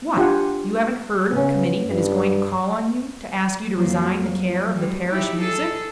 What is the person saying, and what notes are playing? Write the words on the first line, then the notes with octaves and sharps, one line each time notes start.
"What! you haven't heard of a committee that is going to call on you, to ask you to resign the care of the parish music?"
D4 F4 G4 F5 F#5 G#5
C#3 B3 C#4
G2
F2 F#3 A#3
F3
G3 G#3
D#4 E4 G4
G#4 A4